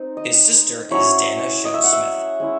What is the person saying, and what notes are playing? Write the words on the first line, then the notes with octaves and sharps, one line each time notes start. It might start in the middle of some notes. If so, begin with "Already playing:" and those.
His sister is Dana Shell Smith.
Already playing: C4 D#4
D#5
F#3 C#4 E4 C#5
D#5
E5
F#5
E5
G#3 C#4 E4